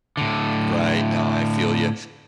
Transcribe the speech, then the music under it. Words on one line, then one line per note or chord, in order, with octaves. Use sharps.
Right, no I feel you.
A2 D3